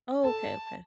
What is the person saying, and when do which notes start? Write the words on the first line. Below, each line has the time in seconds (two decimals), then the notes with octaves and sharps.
Oh, okay, okay.
0.24 A4 A5